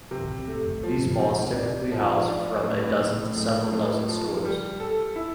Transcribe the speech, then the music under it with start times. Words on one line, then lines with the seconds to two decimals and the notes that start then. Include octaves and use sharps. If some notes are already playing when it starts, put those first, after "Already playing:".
These malls typically house from a dozen to several dozen stores.
0.11 C3
0.48 A3
0.83 F3
1.19 C3
1.56 D4
1.91 F3
2.28 D4
2.63 A2
2.99 A2
3.36 A2
3.72 A2
4.08 F3
4.44 G3
4.80 A4
5.16 E4